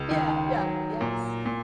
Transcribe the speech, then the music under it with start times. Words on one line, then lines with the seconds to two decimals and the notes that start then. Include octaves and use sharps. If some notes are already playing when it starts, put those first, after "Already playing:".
Yeah, yeah, yes.
Already playing: C#2
0.11 D#3
0.56 F#3
1.01 A#2
1.46 A#2